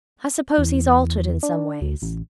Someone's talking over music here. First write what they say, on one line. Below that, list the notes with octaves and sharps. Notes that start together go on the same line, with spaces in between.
'I suppose he's altered in some ways?'
E2
D4
D2
A1